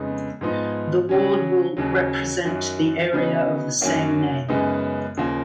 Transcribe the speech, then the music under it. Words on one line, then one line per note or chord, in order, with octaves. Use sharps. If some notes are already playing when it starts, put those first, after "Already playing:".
The ward will represent the area of the same name.
Already playing: F2 C#3 G#3 B3 D#4
G#2 F3 B3 D#4
C#3 F#3 C#4
D#2 C#3 F#3
F#2 D#3 F#3
C#3 F#3 B3 D#4
F#2 D#3 F#3 A#3 C#4
F#2 C#3 G#3 B3 D#4
D#2 C#3 F3 A#3